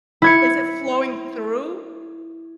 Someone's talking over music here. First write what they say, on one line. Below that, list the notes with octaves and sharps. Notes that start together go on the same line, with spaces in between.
is it flowing through?
E4 G#6 C#7